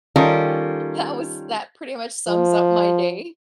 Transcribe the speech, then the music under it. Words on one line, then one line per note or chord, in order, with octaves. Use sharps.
That was that pretty much sums up my day.
D#3 G3 C#4 F4 A4 A#4
F3